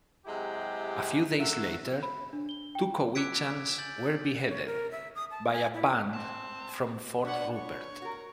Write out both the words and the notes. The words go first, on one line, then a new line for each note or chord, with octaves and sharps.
A few days later, two Cowichans were beheaded, by a band from Fort Rupert.
C3 F#3 G#3 E4 G4 G#4
A#3 F#4 A4 E5
B5
D4
G7
G5
D6 E6 F#6 G#6 B6 D7
G#5 G6 A6 F#7
C#5
A#4
E5
D#6
A5
G#5
E4
C4 A5
B2 B3 D4 C#5 F#5
C#5
F#4 A#4